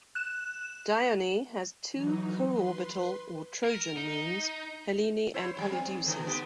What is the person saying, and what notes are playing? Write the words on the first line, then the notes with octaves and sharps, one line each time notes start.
Dione has two co-orbital, or trojan, moons, Helene and Polydeuces.
F#6 E7
E3 F#3 D#4
B4 C6
A#4
D#4
E4 C5 C#5
G#2 F#3 G#3
C4
G#2
D3 E3 A3
G#3 B3 G4